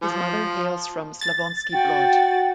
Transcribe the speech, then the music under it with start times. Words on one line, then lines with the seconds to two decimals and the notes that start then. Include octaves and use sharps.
His mother hails from Slavonski Brod.
0.03 F3
1.21 A6
1.73 F#4 G5